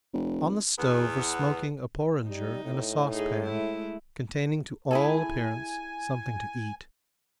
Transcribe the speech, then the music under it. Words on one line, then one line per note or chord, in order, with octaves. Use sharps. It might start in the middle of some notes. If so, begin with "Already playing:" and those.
On the stove were smoking a porringer and a saucepan, containing to all appearance something to eat.
F1
E2 B3
G3 D#4
A2
D#4 G#4
G#3 A3 E4
E4 G#4 A4 G#5